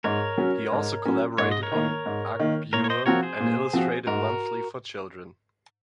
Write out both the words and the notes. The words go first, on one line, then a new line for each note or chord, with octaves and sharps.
He also collaborated on "Aghbyur", an illustrated monthly for children.
G#2 A#4 C#5
F#3 C#4
G#2
F#3 C#4
G#2 C#5
D#5
A#4 C#5
D#3 A#3
G#2
D#3 A#3
A#2 A#4 C#5
C#5
C5 D#5
F3 C4 F#4 A#4 C#5
G#4 C5
A#2
F3 C4 F#4
G#2 F#4 A#4